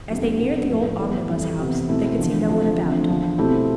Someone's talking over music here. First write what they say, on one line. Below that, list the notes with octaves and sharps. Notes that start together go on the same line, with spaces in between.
As they neared the old Omnibus House they could see no one about.
F2 D3 G3 B3
F2 C3 G3 B3 D4
A2 F3 B3
A2 E3 B3 E4
F2 E3 G3
C3 E3 B3 E4 G4
B2 A3 C4 E4
E2 D3 F3
C3 F3 A3 D4
E2 D3 F3 A3 C4
E2 D3 F3
B2 A3 C4 E4 G4